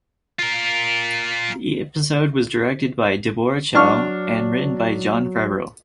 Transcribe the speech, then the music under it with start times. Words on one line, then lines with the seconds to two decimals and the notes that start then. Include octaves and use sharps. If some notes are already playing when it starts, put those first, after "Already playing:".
The episode was directed by Deborah Chow and written by Jon Favreau.
0.39 F4 A#4
3.75 F#3 D4 C#6 F6